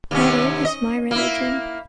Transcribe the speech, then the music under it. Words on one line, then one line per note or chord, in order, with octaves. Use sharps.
Metal is my religion.
D#2 C3 C#4
D#5
A#3 E4